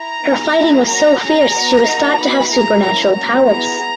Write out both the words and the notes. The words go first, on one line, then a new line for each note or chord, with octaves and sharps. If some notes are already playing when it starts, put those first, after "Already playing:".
Her fighting was so fierce she was thought to have supernatural powers.
Already playing: E4 A#5
B3 D#4 G#4
A#3 E4 G#4
C#4 F#4 A#5
C#4 G#4 A#5
B3 F#4
A#3 D#4 F#4
B3 D#4 F#4 B5
A#3 E4 G#4 A#5
A#3 C#4 E4 A#5
A#3 C#4 F#4 A#5
B3 E4 G#4 A#5